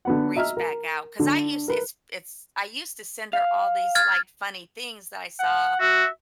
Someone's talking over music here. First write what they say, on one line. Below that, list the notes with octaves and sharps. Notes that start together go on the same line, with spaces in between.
reach back out, 'cause I used to it's it's I used to send her all these, like, funny things that I saw,
D3 B3 F#5
D#5 E5 A#5 F6
A#4
D3
A#4 B4
F5
F6 G#6 A6
F#5
F#4 E5